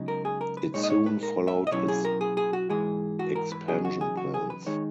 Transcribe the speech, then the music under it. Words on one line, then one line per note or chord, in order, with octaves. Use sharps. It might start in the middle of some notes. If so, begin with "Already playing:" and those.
It soon followed its expansion plans.
Already playing: C#2 C#3 F#3 B3 D#4
A#4
G#4
A#4
B4
A#2 G#3 D#4 C#5
D#5
C#5
B4
A#4
E5
D#5
B2 F#3 C#4 E4 C#5
G#4
A#4
G#4
G#4
F#4
G#2 E3 G#3 G#4
F#4
A#4
B4
E2 C#3 F#3 B3 D#4 G#4
F#4
G#4
F#4
G#4
B4
D#3 G#3 D#4 C#5